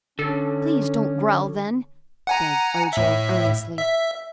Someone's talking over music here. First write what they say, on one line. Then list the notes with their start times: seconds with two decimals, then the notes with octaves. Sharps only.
"Please don't growl, then," begged Ojo, earnestly.
0.19 D3 C#4 A4
2.27 F#5 G#5 A#5
2.93 A2 E5
3.78 E5